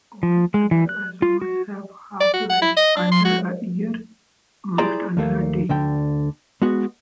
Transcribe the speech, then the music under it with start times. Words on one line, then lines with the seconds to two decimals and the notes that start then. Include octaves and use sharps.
All other isomers have half-lives under a year, most under a day.
0.23 F3
0.54 G#3
0.71 E3
0.89 F#6
1.22 F4
1.42 F#4
2.20 D5
2.33 F#4
2.49 F#5
2.62 E4
2.77 D#5
2.96 D4
3.11 C6
3.25 F#4
4.78 E4 G4 G#4 C5 D5 A#5
5.17 D#2 A3 A#3
5.69 D2 D3 G5
6.62 G#3 B3 F#4